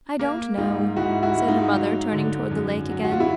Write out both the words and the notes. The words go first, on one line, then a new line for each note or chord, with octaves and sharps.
"I don't know," said her mother, turning toward the lake again.
A#3
G#2 D#4 F4
G#2 E4 F#4
E4 F#4
G#2
D#4 F4
F#3
D3
F#2
F#3
F#4
F4
E4